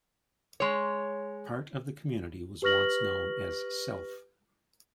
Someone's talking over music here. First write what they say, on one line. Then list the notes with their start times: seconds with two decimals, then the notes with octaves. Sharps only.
Part of the community was once known as Self.
0.60 G#3 C#5
2.62 G4 B4 C#6 F6 A#6 F#7